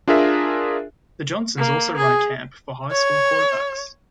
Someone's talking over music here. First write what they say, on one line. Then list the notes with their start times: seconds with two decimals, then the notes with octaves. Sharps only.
The Johnsons also run a camp for high school quarterbacks.
0.08 D4 F4 G#4 A#4 E5
1.57 A#3
1.96 G#4
2.91 C#5